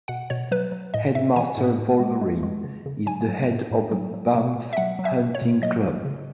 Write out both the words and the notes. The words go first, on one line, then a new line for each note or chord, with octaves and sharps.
Headmaster Wolverine is the head of a "Bamf Hunting Club".
B2 F#5
B2 C#5
F#3 B4
F#3
A2 D#5
A2 E5
E3 G#5
A2
A2
G#3
G#3
G#3
C#3
C#3
F#3 G#5
F#3
A2
A2
F#3
F#3
B2
B2
E5
F#3 F#5
F#3
E5
B2
C#5
B2
F#3 D#5
F#3
C#3